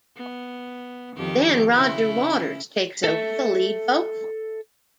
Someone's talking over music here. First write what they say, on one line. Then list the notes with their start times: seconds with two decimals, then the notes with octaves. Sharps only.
Then Roger Waters takes over the lead vocal.
0.17 B3
1.17 F2 D#3 G4
1.75 C#3 C#4 E4
3.04 A4 E5